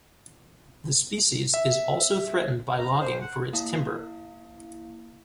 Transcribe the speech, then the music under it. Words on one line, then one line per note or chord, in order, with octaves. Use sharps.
The species is also threatened by logging for its timber.
E5
A#5
C5
F#5
A#3 E4 F5